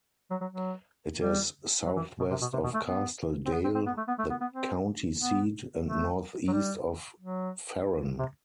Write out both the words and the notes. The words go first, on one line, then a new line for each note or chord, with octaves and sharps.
It is southwest of Castle Dale, the county seat, and northeast of Ferron.
F#3
F#3
F#3
G3
F#3
E3
B2
C3
B2
C3
B2
A3
B3
C4
B3
C4
C4
B3
A3
B3
A3
B3
B3
C4
B3
A3
F#3
G3
F#3
C3